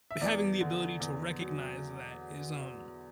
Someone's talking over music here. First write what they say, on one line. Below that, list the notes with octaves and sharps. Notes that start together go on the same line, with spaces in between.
having the ability to recognize that is, um,
E5
E2 D4 D5
D3
E2
F#3